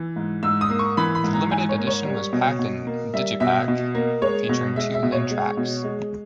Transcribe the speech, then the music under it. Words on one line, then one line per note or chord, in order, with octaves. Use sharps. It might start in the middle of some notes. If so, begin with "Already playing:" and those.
The limited edition was packed in digipak, featuring two hidden tracks.
Already playing: E3
G#2
G#2 E6
D#6
A#3
C#6
E3 B5
B5
G#2
A#5
G#2 G#5
C#5
A#3
C#5
G3
B2
B2
A#3
G3 E5
B2 E5
B2
A#3
G#3 C#5
B2
G#3 E5
E5
B2
C#5
G#3
B2
G#3